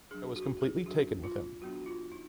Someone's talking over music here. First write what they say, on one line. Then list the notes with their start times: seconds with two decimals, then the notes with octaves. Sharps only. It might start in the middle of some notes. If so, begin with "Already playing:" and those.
I was completely taken with him.
0.11 F#3 D4 G#4
0.36 F#4
0.61 G#4
0.86 F#3 D4 F#4
1.24 F4
1.62 F#3 B3 D4 F#4
1.75 F#4
1.86 F4
2.12 D#4